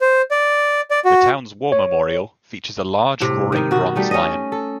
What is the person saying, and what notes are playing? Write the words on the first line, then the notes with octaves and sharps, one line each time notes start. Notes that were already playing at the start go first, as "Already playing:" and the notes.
The town's war memorial features a large roaring bronze lion.
C5
D5
D5
F#4
C#5
A2 C3
D#3 D#4
B2 F#4
G3 A3 D#4
C#4 D#5
A4